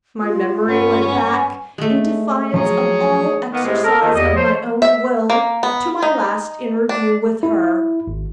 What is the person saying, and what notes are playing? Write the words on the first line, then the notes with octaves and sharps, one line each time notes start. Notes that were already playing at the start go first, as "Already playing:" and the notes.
My memory went back, in defiance of all exercise of my own will, to my last interview with her.
F4
G2 B3 C#4
G#5
G#3 A3
F3 F#3 G#4 C#5
D#3 A#3 B3
A2 C3 G#3
A4 A#4
F2 G#2 D#3
E2 G3 E4 D#5
F3 C5 C#5
E5
A#3
B3
D#4
D4
E4
G#1